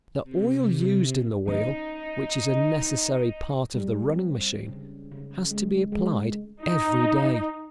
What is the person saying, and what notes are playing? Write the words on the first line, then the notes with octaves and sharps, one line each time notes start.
The oil used in the wheel, which is a necessary part of the running machine, has to be applied every day.
C3
C#4 D#4
G3
C4
C#3
C#3
G#3
G#3
D#4